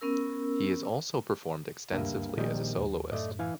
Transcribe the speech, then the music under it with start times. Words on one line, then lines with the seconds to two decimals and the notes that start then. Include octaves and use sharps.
He has also performed extensively as a soloist.
0.01 B3 C#4 A#4 E6
1.92 F#1 D2 G2 A#3 E5
2.38 A#1 D#3 G3 A3 D#5
2.55 D#3
2.78 D#2
3.12 F#2 A2 A3 D5 D#5
3.39 E3 F5 G#5